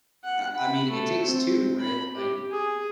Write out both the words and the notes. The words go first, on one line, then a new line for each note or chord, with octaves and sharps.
I I mean, it takes two, right, like
F#5
B5
A3
C4
B5
G4
G#4